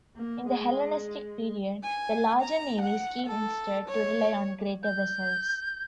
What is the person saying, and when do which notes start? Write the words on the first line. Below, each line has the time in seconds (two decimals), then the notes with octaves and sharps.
In the Hellenistic period, the larger navies came instead to rely on greater vessels.
0.16 A#3
0.47 G#3
1.83 G#5
2.41 A#5
2.81 F#5
3.26 A4
3.88 C#5
4.83 G6